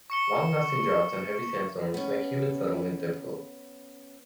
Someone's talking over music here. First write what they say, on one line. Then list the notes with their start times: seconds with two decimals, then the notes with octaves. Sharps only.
Long lasting droughts and heavy sand storms make human settlement difficult.
0.10 C#6 C#7 G7
1.94 B3 C#4